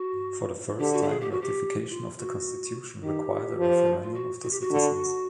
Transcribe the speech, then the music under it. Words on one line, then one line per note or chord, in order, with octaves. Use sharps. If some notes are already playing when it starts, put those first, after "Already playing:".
For the first time, ratification of the constitution required a referendum of the citizens.
Already playing: F#4
D3 G4
F#4
G4
G#4
G4
F#4
G4
F4
F#4
D#3 G4
F3
F4
F#4
F#4
G4
F#4
D3